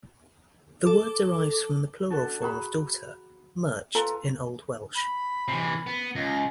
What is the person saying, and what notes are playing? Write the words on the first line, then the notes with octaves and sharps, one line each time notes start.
The word derives from the plural form of daughter, "merched", in old Welsh.
A4 D6
D4 F#4 A4
F#4 G#4 A#5 B5
F4 A4 B4 A#5
B5
C3 E3
B3
C#2 A#6